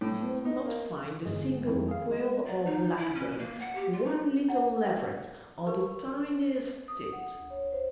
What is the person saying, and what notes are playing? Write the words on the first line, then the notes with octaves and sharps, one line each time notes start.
You'll not find a single quail or blackbird, one little leveret, or the tiniest tit.
A2
D#4
A#3
G1 G#3 G#4
F2 D#3 C4 E4
G#4 F5
G#3
D5
D#4
E4
C#4
A#3
F#5
G4
F4
D#4
E4 F#5
A#4 B4 C#6
D#6
F#5
D2
C#5
C5